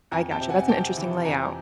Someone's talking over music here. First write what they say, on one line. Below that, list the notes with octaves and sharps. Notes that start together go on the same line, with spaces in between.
I gotcha. That's an interesting layout.
F2 G#5 A#5
G5 A5
C3
F#5 G#5
G#5
C3 G5 A5
E3
F2 G#5 A#5